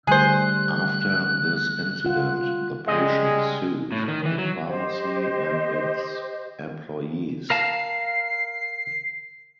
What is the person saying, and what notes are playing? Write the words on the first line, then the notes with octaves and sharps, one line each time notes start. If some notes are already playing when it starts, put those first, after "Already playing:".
After this incident, the patient sued the pharmacy and its employees.
D3 G3 A3 G#4 C5 F#6
F4 F#5
C#3 G3 G#3 D#5
A2
D#3
E3
F#3
G4 C5 D#5
A#4 F5 A5 C7